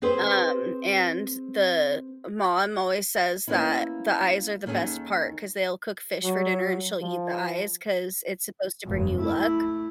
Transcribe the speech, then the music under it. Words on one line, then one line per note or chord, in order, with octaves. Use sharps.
Um, and the mom always says that "the eyes are the best part" 'cause they'll cook fish for dinner, and she'll eat the eyes 'cause it's supposed to bring you luck,
C4 G#4 B4 C5
A#3 B3 C#4 E4
D#2 D#3 C#4 G#4 A4
F#3
F3
F1 G2
A3 E4